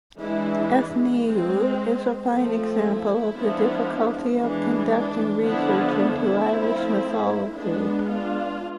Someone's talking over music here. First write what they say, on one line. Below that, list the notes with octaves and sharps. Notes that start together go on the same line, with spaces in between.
Ethniu is a fine example of the difficulty of conducting research into Irish mythology.
E3 G#3 D4 E4
G#3 C4
F3 A3 C4
E4
F3 G#3 B3 D4
E3 G#3 D4
D4
D3 F3 B3 D4 E4
E4
F3 A3 C4
G#3 B3 D4
D4 F4